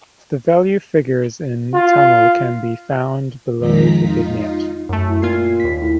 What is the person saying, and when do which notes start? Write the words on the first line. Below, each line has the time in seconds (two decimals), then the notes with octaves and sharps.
The value figure in Tamil can be found below the vignette.
1.75 F4
3.58 F2 D#3 F3 G#3 A#5 B6
3.99 D#4 F4
4.89 F#2 A3
5.08 A2
5.22 A#2 F4 G#6 C7
5.60 D#2 B6
5.81 A2